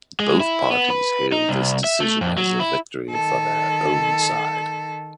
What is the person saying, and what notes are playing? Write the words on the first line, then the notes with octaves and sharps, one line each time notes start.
Both parties hailed this decision as a victory for their own side.
G#3
E4
B3
B4
D#4
C2
E5
A3
F2
F#3
E4
D#3 A4